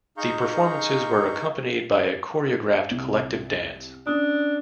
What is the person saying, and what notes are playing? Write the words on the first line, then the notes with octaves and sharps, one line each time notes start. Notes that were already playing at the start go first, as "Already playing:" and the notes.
The performances were accompanied by a choreographed collective dance.
D#4 G#4 F5 A#5 C#6 G6
C2
C#4 D4 D#6